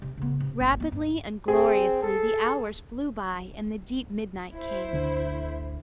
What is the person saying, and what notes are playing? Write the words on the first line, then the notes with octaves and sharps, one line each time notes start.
Rapidly and gloriously the hours flew by and the deep midnight came.
C3
C#3 B3
C3
G#1 B2
B3 D4
G2
C4 G#4
A4
E4 C5
D2 D3 D4